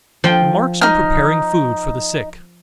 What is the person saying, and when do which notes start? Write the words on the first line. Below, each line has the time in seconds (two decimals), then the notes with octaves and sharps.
Remarks on Preparing Food for the Sick.
0.24 F3 G5
0.81 D#4 F6